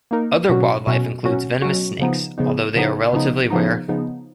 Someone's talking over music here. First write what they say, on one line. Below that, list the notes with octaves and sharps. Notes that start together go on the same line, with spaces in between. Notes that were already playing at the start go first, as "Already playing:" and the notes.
Other wildlife includes venomous snakes, although they are relatively rare.
A#3 D#4 A#4
B2 F#3 C#4 F#4
B2 F#3 C#4 F#4
B2 F#3 C#4 F#4
B2 F#3 C#4 F#4
C#3 F3 B3 D#4
C#3 F3 B3 D#4
C#3 F3 B3 D#4
C#3 F3 B3 D#4
C#3 F3 B3 D#4
C#3 F3 B3 D#4